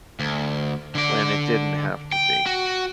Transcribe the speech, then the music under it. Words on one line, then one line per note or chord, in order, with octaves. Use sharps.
when it didn't have to be.
D2
D3 D5
G5
F#4